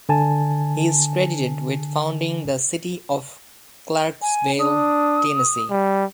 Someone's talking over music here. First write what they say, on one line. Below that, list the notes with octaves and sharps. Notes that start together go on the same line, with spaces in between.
He is credited with founding the city of Clarksville, Tennessee.
D3 G#5 A5
G#5
D4 D#6
G3